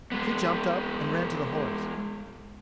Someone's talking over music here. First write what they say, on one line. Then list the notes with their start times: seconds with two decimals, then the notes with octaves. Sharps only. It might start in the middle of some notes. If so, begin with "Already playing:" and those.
She jumped up and ran to the horse.
0.12 G#3 B3